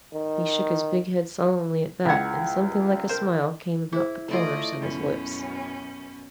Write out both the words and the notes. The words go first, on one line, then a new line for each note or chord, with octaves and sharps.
He shook his big head solemnly at that, and something like a smile came about the corners of his lips.
D#3
C#2 E4 F#5 G#6
A#4 C5
E4 G#4 C5
A3 E4 F4 D5 D#5
F#2 B2 C#4